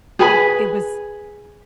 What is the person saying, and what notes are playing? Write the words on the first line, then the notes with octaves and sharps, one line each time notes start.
it was
G#4 B4 G#5 B5